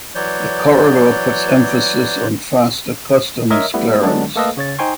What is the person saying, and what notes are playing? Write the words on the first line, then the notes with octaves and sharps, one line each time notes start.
The corridor puts emphasis on faster customs clearance.
E3 F#3 C#5 D5 G6
A#4 C#5 D#5 E5
G3 A3 B3 E4
D3 F#3 G#3 B3 D4
A3 A#3 A4 B4 D#5 F5
C#3 C#5 A6
D#4 C5 G5 G#5 C6 C#6